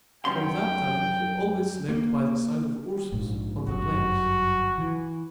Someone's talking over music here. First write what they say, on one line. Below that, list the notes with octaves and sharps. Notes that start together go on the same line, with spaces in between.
From that time he always slept by the side of Ursus on the planks.
F#2 C#4 G5 C6
A#3
A#1 G#2
G1 F#2 F#4
E3